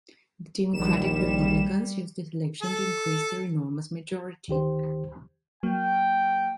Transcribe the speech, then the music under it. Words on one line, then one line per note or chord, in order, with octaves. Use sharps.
The Democratic-Republicans used this election to increase their enormous majority.
A#1 D#2 G3 E7
A4
D2 D#3 G4 C5
F#3 A#3 G5